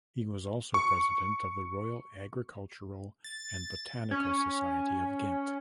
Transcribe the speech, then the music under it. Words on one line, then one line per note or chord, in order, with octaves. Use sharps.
He was also president of the Royal Agricultural and Botanical Society of Ghent.
C#6
A6
C#4